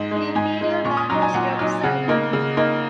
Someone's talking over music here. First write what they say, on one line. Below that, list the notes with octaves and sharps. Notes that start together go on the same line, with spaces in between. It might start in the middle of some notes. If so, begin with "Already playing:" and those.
The imperial ban was dropped silently.
Already playing: G#2 D#5
G#3 D#4
G#2 G#5
G#3 D#4
A#2 C#6
D#6
F#3 D#4 A#5
G#5
A#2 F#5
F#3 D#4
C#3 F#5
A#3 D#4
C#3
A#3 D#4